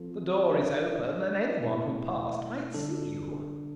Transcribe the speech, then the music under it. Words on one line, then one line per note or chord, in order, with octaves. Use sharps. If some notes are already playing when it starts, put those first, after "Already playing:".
"The door is open, and any one who passed might see you."
Already playing: F3 C4 F4 A4
G3 D4 G4
B2 A3 E4
D3 G3 D4 A4